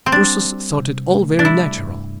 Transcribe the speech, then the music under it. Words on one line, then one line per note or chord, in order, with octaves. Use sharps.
Ursus thought it all very natural.
C4
G3 D4
G3
C3
A3
D4
G3 E4
G2